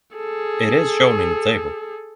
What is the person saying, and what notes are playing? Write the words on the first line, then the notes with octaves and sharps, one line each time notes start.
It is shown in the table.
G#4 A4